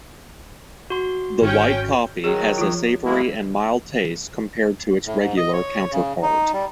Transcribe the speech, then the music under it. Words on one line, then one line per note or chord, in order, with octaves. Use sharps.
The white coffee has a savory and mild taste compared to its regular counterpart.
F#4 C6
G#1 C#4 G5
D#3 F#3 G#4
F3 F4
G#3 A#3 E4
A2
G#2
D#5
C#5
C#3
D#4
G3